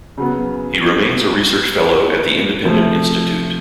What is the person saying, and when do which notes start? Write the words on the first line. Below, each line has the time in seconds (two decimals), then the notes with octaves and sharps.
He remains a Research Fellow at the Independent Institute.
0.18 C#3 F#3 B3
2.65 C3 F3 A3